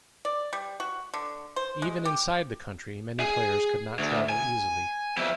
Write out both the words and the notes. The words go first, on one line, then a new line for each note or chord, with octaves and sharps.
Even inside the country, many players could not travel easily.
D5
G3
F#4
D3
C5
G#3
G4
G#4
D2
G#5
F2 E4